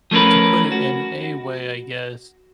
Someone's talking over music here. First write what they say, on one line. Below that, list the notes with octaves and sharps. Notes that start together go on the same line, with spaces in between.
To put it in a way, I guess,
F3 A3 C#4 A#4 B4
F#4